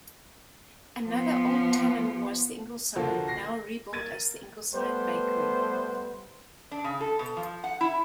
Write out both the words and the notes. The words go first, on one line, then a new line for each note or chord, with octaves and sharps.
Another old tavern was the Ingleside, now rebuilt as the Ingleside bakery.
F3 B3
D3 F3 A#3 F#4 A4 C5
A#6 C7
A#3 G#6 A6 D#7
G3 A3 B3 B4 C5
D4
C#3
A4
B2
F3
F#5
E4